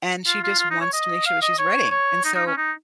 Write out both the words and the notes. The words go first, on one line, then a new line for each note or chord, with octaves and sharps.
and she just wants to make sure that she's ready, and so
F4
F4
F4
D#4
C#5
D#5
F5
D#5
C#5
C#5
D#4
D#4
C#4
D#4